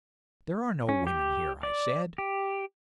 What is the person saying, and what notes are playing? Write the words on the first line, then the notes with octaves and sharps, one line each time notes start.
'There are no women here,' I said.
C#4
G4
D5
G4